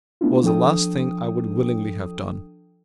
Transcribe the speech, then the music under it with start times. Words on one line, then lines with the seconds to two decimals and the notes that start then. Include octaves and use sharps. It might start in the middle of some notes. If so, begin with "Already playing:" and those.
It was the last thing I would willingly have done.
0.21 A3 B3 D4 E4 F4
0.43 F3 D4 A4 G5 D#6